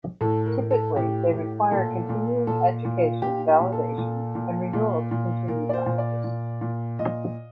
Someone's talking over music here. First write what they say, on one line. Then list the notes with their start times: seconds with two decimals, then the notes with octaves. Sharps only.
Typically they require continuing education validation and renewal to continue practice.
0.21 A2 A4
0.46 A#4
0.58 A2
0.71 A4
0.96 A2 G4
1.34 A2
1.71 A#2 A4
2.09 A#2
2.47 A#2 A4
2.85 A#2
2.97 F4
3.22 A#2 G4
3.48 G4
3.60 A#2
3.72 A4
3.98 A#2
4.35 A#2
4.73 A#2
5.11 A#2
5.48 A#2 A#4
5.69 D5
5.73 C5
5.86 A#2
5.98 D5
6.24 A#2
6.61 A#2
6.99 A#2 D#5